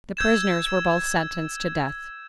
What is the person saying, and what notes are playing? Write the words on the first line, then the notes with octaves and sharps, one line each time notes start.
The prisoners were both sentenced to death.
E6 G6 G#6 E7